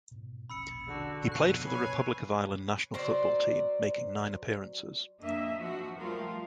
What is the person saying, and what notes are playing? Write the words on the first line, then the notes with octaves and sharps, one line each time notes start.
He played for the Republic of Ireland national football team making nine appearances.
G#2 B2
E1 A#1 C#4 B5 E6 C#7
D3 F#4
F2 B2 B3 F#6 C7 D#7
B4 C#5 G#5
F#3 C5 D5
F2 A#3 D4 D#5 E5
F3 F#4
F3 G3 A3 F4 A#4